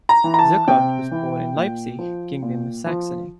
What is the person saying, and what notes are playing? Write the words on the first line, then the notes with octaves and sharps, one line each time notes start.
Zuchardt was born in Leipzig, Kingdom of Saxony.
A#5
E3
A#5
A5
C3 G5
E3
A#2
F3
A#2
F3